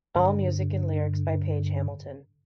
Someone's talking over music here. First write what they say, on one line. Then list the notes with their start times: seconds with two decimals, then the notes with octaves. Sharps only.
All music and lyrics by Page Hamilton.
0.15 G2 D3